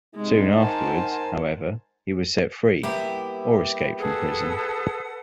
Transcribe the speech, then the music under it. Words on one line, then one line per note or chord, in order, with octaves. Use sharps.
Soon afterwards, however, he was set free, or escaped from prison.
C3 G#3 D#4
A#4 C5 F#5 G#5 A5
G3 A#3 B3 E4 G4
G#4 A4 B4 F#5